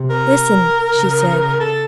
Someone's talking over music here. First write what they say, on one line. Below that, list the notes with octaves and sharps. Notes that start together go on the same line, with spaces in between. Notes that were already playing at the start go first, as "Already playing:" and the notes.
"Listen," she said.
Already playing: C3
A#4
C#3
A4